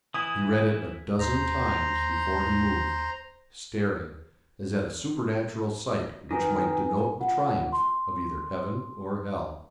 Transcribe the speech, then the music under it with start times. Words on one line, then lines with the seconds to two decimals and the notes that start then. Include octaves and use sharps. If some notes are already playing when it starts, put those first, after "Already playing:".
He read it a dozen times before he moved, staring, as at a supernatural sight which might denote the triumph of either heaven or hell.
0.14 E3 E4 D#6
1.19 D#2 C5 A#5
6.31 D#3 B4 G#5
7.20 F4 F#5
7.72 C6